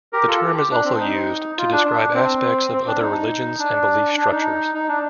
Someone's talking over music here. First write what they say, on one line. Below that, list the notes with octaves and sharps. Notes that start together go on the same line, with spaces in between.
The term is also used to describe aspects of other religions and belief structures.
G4 A#4
F4 A4
G4
G4
D4
C4
D#4
F4
D4
D4
D4
C4
C4
D4
D#4
D4
D4
D#4
D#4
D4